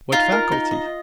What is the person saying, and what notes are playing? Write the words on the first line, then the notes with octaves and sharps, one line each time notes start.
What faculty?
D#4 F4
A#4
D#4
D#5